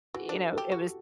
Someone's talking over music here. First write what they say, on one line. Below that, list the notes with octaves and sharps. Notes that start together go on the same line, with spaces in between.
you know, it was
E3 F#4
D4 A4
A4
G4
F#4 G4